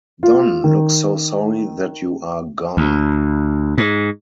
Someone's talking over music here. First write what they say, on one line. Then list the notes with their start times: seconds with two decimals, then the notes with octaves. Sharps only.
Don looks so sorry that you are gone.
0.23 F4
0.64 D#3
2.77 D2
3.78 G#2